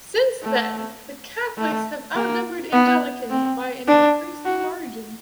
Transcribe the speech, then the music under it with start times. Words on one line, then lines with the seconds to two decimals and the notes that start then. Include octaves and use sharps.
Since then Catholics have outnumbered Anglicans by an increasing margin.
0.43 A3
1.58 A3
2.15 A#3
2.72 B3
3.30 C4
3.87 D4
4.45 F#4